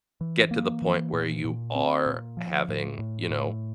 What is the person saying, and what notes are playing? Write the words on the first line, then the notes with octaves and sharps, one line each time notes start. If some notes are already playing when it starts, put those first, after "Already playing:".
get to the point where you are having, you know,
E3
A#3
E3
A#2
A#2
C4
A#2
F3
A2
A2
A2